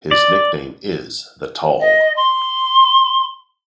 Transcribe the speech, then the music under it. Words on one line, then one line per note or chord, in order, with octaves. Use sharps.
His nickname is "The Tall".
D5
D#5
C6